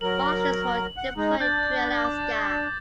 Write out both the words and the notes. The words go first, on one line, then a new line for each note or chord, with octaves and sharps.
Marshals were deployed to Alaska.
F#3 A#4 F#7
F#5
G#3 D#4
D4 G6 A6
D6